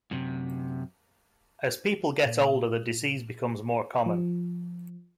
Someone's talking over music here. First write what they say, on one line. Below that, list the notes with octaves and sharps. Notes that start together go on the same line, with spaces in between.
As people get older the disease becomes more common.
F#2 C3
A#2
F3